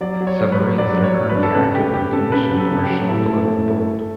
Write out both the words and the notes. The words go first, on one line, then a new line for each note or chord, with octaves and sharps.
Submarines that are currently active and commissioned are shown below in bold.
F#3 D5
F#3
C#5
F#3
B4
F#3
F#3 D5
F#3
C#5
F#3
B4
D4
A4
C#3 B4
A3 G4
A3 G4
C#3 A4
C#3 B4
F#3
A4
C#3
G4
F#3
A2 A4
A3
A2
A3
A3